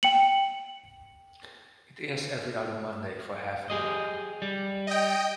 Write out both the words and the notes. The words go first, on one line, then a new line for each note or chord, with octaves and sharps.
It airs every other Monday for half an hour.
G5 C#7 F#7
G4 G#4 D#5
G3
D#5 G5